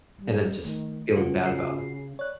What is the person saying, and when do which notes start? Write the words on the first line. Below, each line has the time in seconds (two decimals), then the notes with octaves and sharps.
and then just feeling bad about it.
0.19 E3 G3
0.64 D#3 A3 D#4
1.14 C#3 G3 F4 F#4
1.44 F4 F#4 C7
2.19 C#5 D5 F#6